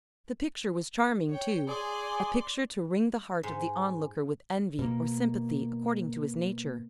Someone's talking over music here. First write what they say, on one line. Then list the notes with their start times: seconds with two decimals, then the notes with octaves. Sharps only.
The picture was charming, too--a picture to wring the heart of the onlooker with envy, or sympathy, according to his nature.
1.30 C#5 G5
1.67 G#4 D5 C6
3.43 G#2
4.79 B2 A#3